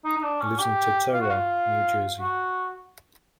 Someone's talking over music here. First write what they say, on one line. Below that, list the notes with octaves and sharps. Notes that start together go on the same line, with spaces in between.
He lives in Totowa, New Jersey.
D#4
D#4
D4
C#4
G4
F4
F#4
F4
F#4